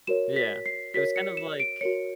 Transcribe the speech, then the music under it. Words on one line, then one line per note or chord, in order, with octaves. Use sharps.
yeah, it was kind of, like
F#4 A#4 C#5 E7
B6
C7
F#4 A#4 C#5 B6
C#7
E7
D7
F#4 A#4 C#5 C#7